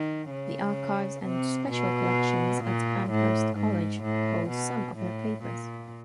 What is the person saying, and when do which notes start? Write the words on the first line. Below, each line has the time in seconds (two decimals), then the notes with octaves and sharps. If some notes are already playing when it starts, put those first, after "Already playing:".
The Archives and Special Collections at Amherst College holds some of her papers.
Already playing: D#3
0.30 C#3
1.24 C3
1.70 B2
2.64 A#2
3.10 A2
3.57 G#2
4.03 A2
4.49 B2
4.97 A2
5.43 A#2